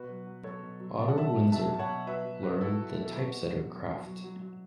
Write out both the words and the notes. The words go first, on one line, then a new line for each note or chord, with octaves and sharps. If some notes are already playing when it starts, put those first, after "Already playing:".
Otto Winzer learned the typesetter craft.
Already playing: B2 F#4 B4
F#3
F#3
F#3 A4 C#5
B2
F#3
B2 A5
F#5
F#3 E5 A5
B2
F#3 E5 A5
F#3 A5
C#5 F#5
B2
F#3 B4 E5
F#3
F#3 F#4 B4
F#3 E4 A4
F#3
B2
A4
B2 F#4 B4
B2
F#3
F#3
F#3
F#3
F#3
F#3